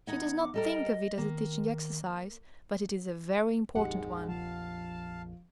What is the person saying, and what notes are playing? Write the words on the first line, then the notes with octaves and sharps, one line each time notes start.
She does not think of it as a teaching exercise, but it is a very important one.
E2 D#4 F#5 G#6
D6
G3 A4 A#4 D#5
D#3 A#3
A#1 F2 G#2 G#3 G4 F#5
F3 F5 A5